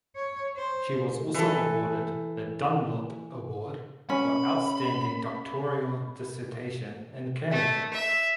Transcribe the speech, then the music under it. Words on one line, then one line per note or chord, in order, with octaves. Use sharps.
She was also awarded the Dunlop Award for Outstanding Doctoral Dissertation in Canada.
C#5
C5
E3 A4
C#4 B5
A3
E5